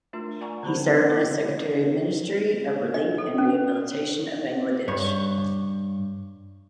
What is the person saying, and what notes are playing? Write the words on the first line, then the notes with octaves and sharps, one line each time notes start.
He served as Secretary of Ministry of Relief and Rehabilitation of Bangladesh.
A3 D4 F4 A#4
D5 F#5 G#5 A#5 C#6
D3 B3 G4 C5 B5
C4
G#3 A#3 E4 B4 F#5 D6
D#5
A4
C#4
G2 C#5